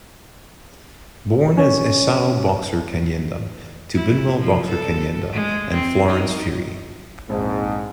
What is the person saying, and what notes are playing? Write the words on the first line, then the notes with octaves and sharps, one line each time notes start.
Born as Esau Boxer Kanyenda, to Binwell Boxer Kanyenda and Florence Phiri.
C#4
E4
F3
A4
G#3
C4
D#4
A#1 F2 G#2